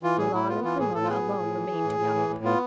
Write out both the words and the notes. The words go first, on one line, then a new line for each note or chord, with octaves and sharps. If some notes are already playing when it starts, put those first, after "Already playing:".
Milan and Cremona alone remained to be occupied.
E3 F4
A2 G#4
A2 E4
B3 F4
E3 F4
A2 G#4
A2 A4
F4
B3 G#4
A2
A2
E3
E3
A2
A2
E3
A2
B3 F4